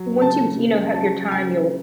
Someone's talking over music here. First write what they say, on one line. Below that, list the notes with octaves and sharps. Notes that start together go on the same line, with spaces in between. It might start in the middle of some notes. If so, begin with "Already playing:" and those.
and once you you know, have your time, you'll
Already playing: F#3
C#3 A5
C#3
F#3 A5
C#3 G#5